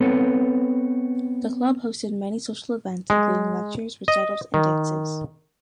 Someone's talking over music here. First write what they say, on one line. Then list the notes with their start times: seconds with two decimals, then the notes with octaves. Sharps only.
The Club hosted many social events, including lectures, recitals, and dances.
0.01 B3 C4 A4 B4 C#5
3.10 G#3
4.08 D#5
4.54 D#3